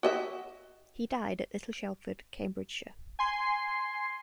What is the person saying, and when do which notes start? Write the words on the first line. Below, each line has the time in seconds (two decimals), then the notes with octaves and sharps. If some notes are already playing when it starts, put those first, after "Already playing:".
He died at Little Shelford, Cambridgeshire.
0.03 F#4 D#5 E5
3.19 G#5 C6 C7